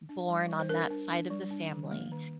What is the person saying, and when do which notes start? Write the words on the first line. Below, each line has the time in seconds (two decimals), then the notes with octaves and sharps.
born on that side of the family,
0.09 D4
0.29 G3
0.49 G3
0.59 C5
0.69 D4 A#4
0.90 D4
1.10 D4
1.30 G3
1.51 D4
1.71 D#3
1.91 A#3
2.12 D#3